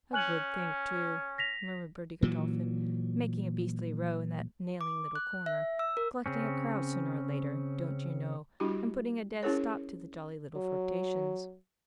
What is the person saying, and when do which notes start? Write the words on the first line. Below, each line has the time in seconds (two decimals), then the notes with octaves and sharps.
"A good thing, too!" murmured Bertie Godolphin, "making a beastly row in that 'nailing' little corner, collecting a crowd sooner or later, don't you know, and putting a dead stop to the jolly little flirtations."
0.13 C#4 G#5 F#6 F#7
1.38 A#6 B6 F7
2.22 A#2 E3 F#3
4.81 D6
5.15 F#6
5.46 E5
5.79 E6
5.97 A#4
6.26 C#3 C4 C#4
8.60 G3 D4 E4 F#4 G4
9.43 C#4 E4 G#4 A#4 C#5
10.57 F#3